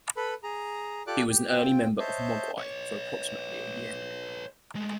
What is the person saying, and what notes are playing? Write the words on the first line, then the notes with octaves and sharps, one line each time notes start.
He was an early member of Mogwai for approximately a year.
A4 B4 B5
G#4 A#5
F4 G4 A4 D5 D6 F#6
G4
C4 F4 G5
C5 C#5 D#5 E5 A5 G6
B4 C#5
G#3 A3